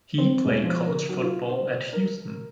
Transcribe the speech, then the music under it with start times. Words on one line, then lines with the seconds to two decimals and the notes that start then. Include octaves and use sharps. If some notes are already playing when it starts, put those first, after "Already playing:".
He played college football at Houston.
0.18 C4
0.45 E1
0.64 F3
0.86 A#4
1.09 F#3
1.23 F4
1.49 C5
1.93 A#4